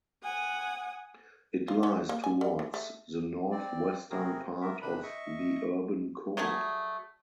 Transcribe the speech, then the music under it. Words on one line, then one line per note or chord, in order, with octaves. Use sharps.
It lies towards the northwestern part of the urban core.
F#5 G#5 D#6
F4
C#4
A#3
G#5
G3
E3
A3
C4 D5
C3 B3 C4 F#4 G#4 A#4
B3 A#4 E5
C3 D#3 D4 B4 B5
D#5 E5 C#6
F#3 G3 A3 G#4